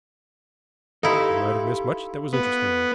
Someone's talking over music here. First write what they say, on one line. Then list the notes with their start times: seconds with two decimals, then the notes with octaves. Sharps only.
We might have missed much that was interesting.
1.03 D#4 E4 G4 A4 F5 B5 C6
2.33 B3